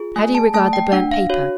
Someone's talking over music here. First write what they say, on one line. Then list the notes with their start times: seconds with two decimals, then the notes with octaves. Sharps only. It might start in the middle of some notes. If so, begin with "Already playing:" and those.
How do you regard the burnt paper?
Already playing: F4 G#4
0.16 A3 G#5
0.35 A5
0.54 A3 A5
0.73 G5
0.92 D4 F#5
1.11 F5
1.30 F#4 C#5